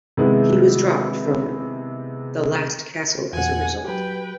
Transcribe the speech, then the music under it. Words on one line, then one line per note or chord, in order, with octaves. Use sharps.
He was dropped from "The Last Castle" as a result.
C3 D#3 G#3 B3 E4
E2 A#2 F#5 G#5
F#3 G4 B4 G5